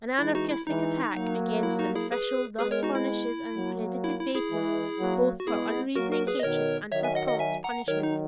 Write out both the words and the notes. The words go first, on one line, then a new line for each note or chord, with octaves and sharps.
An anarchistic attack against an official thus furnishes an accredited basis both for unreasoning hatred and for prompt punishment.
E3 G#3 E4
D#4 F#4
E4
E3 G#3 D#4
F#3 A#3
E4
D#4 F#4
E4 G#4
G#4 B4
G#3 B3 G#4 B4
A#4 C#5
D#4 F#4
E4
F#3 A#3
E4
E4
E4 G#4
E3 G#3
F#3 A#3
F#4
G#3 B3 E4 G#4
F#3 A#3 F#4 A#4
F#4 A#4
G#4 B4
D#5
B2 D#3 A#4 C#5
D#3 F#3 C#5 E5
E5 G#5
D#5 F#5
D#5 F#5
E5 G#5
F#5 A#5
D#3 F#3 A#4 C#5
D#4